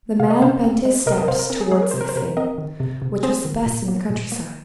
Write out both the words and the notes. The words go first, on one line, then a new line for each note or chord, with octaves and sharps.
The man bent his steps towards this inn, which was the best in the country-side.
C3 F5
D#5
C3 C5 F5
C4
G#3
C3 A#4 D#5
A#4 D#5
C3 C5 F5
A#4
C4 A#4
G#4
G#3 G#4
A#4
C3 C5
A#4
C5
C3 A#4
C4 A#4 D#5
D#3
C3
C3
C4 G#4 C5
D#3
A#2
A#3
A#2
A#3